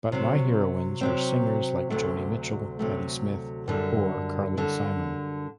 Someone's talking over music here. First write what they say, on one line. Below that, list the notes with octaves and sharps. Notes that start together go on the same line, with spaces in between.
But my heroines were singers like Joni Mitchell, Patti Smith or Carly Simon.
C3 F#3 C4
C3 F#3 C4
D2 C3 F#3 A3
D2 C3 F#3 A3
F#2 D3 G3
F#2 D3 G3